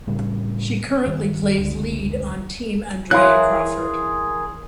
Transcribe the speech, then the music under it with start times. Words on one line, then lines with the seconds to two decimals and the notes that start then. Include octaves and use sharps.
She currently plays lead on Team Andrea Crawford.
0.07 A2 C#3 G3 A#3
1.06 G2 D#3
1.58 F#1 C#2 D3 G#3
3.11 E3 G#4 A#4 C#5 F5 C6 F#6